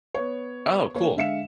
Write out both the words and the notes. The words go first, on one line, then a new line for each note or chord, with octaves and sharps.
Oh, cool.
B3 C#5
A#3 C#5
D3 G#3 E5 F5 C#7 E7